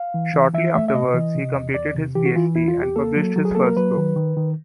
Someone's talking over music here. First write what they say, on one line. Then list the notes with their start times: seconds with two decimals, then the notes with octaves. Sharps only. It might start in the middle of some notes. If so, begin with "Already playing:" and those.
Shortly afterwards, he completed his PhD and published his first book.
Already playing: F5
0.14 E3
0.33 E3
0.54 E3 E5
0.74 A3 E5
0.88 E5
0.94 C3 D#5
1.14 E3
1.35 C3
1.54 E2
1.74 E2 D5
1.94 C3
2.15 E3 G4
2.26 F#4
2.36 E3 F4
2.55 E2 E4
2.68 F4
2.76 E2
2.83 G4
2.96 A#3 A4
3.16 F#3
3.36 F#3
3.45 G#4
3.55 A#3 A4
3.65 A#4
3.77 F#3 B4
3.97 D#3
4.16 D#3
4.37 D#3